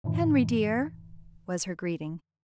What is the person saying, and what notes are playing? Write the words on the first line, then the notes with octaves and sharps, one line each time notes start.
"Henry dear--" was her greeting.
F#2 A2 D3 E3